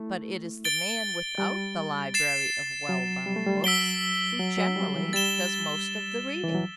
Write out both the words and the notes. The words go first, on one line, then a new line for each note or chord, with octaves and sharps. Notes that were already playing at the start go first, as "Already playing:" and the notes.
But it is the man without the library of well-bound books who generally does most of the reading.
Already playing: A3 E4
A6 D7 G7
G3
A6 C7 E7
F#3
G3
A3
G3
F#3 E6 B6 D7 G7
F#3
F#3
G3
E3
G3 A6 E7 G7
E3
F#3